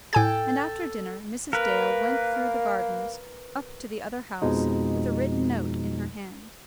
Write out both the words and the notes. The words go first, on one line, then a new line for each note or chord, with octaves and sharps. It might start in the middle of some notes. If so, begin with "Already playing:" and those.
And after dinner Mrs. Dale went through the gardens, up to the other house, with a written note in her hand.
A2 A4 G5 G#5 G#6
A#3 A#4 B4
F2 B2 F3 G#3 D#4